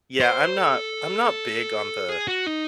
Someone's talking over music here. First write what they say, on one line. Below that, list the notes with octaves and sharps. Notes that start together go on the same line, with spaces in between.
yeah, I'm not I'm not big on the,
C5
A4
G#4
F#4
D#4